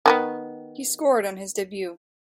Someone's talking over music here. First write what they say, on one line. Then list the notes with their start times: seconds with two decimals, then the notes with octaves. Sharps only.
He scored on his debut.
0.06 D#3 G#3 B3